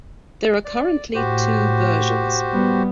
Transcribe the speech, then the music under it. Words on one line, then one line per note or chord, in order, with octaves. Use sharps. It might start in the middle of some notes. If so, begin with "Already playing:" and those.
There are currently two versions.
D5
A2 F#4 G4 C5
G3 B3